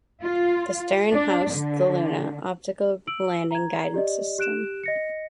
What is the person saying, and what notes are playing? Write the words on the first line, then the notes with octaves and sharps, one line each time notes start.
The stern housed the "Luna" optical landing guidance system.
F4
D4
D3
E6 D7 F#7
A#5 G#6
G4 D5 D#5
G4 F#6 D7 E7
D#5 A#6 C#7